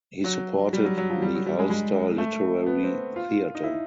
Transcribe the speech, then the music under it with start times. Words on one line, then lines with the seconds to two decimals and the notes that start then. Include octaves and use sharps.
He supported the Ulster Literary Theatre.
0.24 F#3
0.73 G3
0.85 F#3
0.98 F#3
1.10 F3
1.22 G3
1.34 F#3
1.46 G3
1.59 G#3
1.70 G#3
2.18 A3
2.66 B3
2.83 C4
3.16 F4
3.55 D#4
3.63 E4